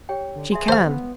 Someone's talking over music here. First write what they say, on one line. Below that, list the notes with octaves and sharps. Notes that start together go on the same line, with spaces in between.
She can!
G4 C#5 G5
D3
G#4 E5 C6
C5 F5
B3